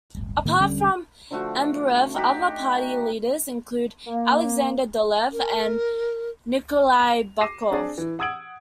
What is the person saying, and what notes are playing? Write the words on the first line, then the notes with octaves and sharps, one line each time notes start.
Apart from Ambarev other party leaders included Alexander Dolev and Nikolay Buckov.
D1 G1
A2 D#3 A#3
E1 D3 G3 C#4
D3 F3 A3 F#4
D#4 F#4 G4
B4
A#3
A#4
F7
D6 A#6 C7 D#7 E7
C4 D4 G#4 D5
E3
F#5 D#6 E6 G#6 D7 F#7